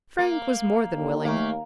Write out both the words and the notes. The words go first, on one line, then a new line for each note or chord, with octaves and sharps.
Frank was more than willing.
A#3
D#2
A3 A#3